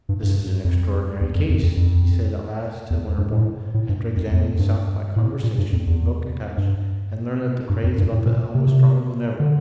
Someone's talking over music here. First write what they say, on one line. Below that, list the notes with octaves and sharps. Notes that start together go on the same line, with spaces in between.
"This is an extraordinary case," he said at last to Winterborne, after examining South by conversation, look, and touch, and learning that the craze about the elm was stronger than ever.
G2
G2
F2
E2
F2
E2
F2
F2
E2
G2
A2
A2
G2
F2
F2
E2
F2
G2
A2
A#2
G2
F2
E2
G2
G2
F2
G2
A2
A#2
C3
C3
D3